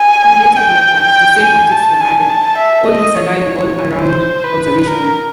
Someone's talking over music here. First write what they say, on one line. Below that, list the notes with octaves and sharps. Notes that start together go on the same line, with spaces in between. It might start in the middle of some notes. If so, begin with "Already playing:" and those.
On later vehicles, the same optics were added, almost allowing all-around observation.
Already playing: G#5
G5
G5
G#5
A5
G#5
A5
E5
D#5
C#5
C5
B4
A#4